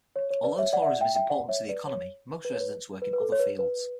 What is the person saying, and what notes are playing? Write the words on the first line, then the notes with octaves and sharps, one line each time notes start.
Although tourism is important to the economy, most residents work in other fields.
C#5
C#5
B4 D5
C#5 E5
D5 F#5
E5
D5 F#5
E5 G5
E5 G5
D5 F#5
C#5 E5
B4 D5
C#5
B4
C#5
B4
B4
B4
A4
C#5
B4
B4